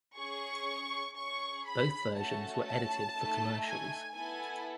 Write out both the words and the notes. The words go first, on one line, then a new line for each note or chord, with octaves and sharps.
Both versions were edited for commercials.
C#4 G#4 C#6
C#4 G#4 C#6
B5
A3 C#4 F#4 A4 A5
A5
A3 D#4 A4
G#5
B3 E4 A4 G#5